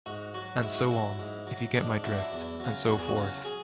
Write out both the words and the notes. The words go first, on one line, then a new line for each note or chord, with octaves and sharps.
And so on, if you get my drift, and so forth.
G#2 F#4
F#3 F#4
G#2 E4
F#4
F#3 E4
G#2
F#3
G#2 D4
F#3 E4
D4
E4
E2
C#3 F#3
E2 F#4
G#4
F#4
C#3 F#3
G#4